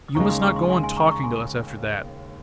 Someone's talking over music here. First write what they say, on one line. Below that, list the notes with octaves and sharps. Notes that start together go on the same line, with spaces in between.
You must not go on talking to us after that.
D#6
D#2 C#3 G#3 A#5 C#6
C6 D#6
A#5 C#6
C6 D#6
G#5 C6
G#5 C6
A#5 C#6
A#5 C#6
G#5 C6